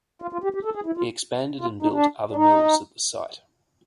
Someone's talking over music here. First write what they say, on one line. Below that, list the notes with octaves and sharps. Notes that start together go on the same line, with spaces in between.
He expanded and built other mills at the site.
F4
F4
G4
G4
A4
G#4
E4
F4
F4
D#4
D4
D4
D#4